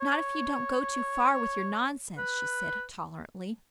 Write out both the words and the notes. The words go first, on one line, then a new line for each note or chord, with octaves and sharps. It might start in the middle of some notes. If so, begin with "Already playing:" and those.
"Not if you don't go too far with your nonsense," she said tolerantly.
C#5
B4